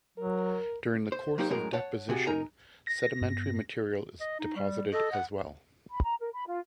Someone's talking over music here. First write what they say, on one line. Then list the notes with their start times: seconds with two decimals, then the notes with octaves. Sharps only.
During the course of deposition sedimentary material is deposited as well.
0.18 F#3 A#4
1.12 C5
1.38 F#3 A#3 D#4 G4 C5
1.50 F#2 A2 G#3 A#4
1.73 C#5 F#5 A5
2.09 C3 F#4 G#4
2.27 D#4 A#4 G#5 A#5
2.87 A#6
3.21 G2 B3
4.21 D#5
4.39 D#4
4.56 G3
4.93 A4 D#5
5.12 F#5
5.91 B5
6.03 A#5
6.20 A#4
6.33 B5
6.47 F4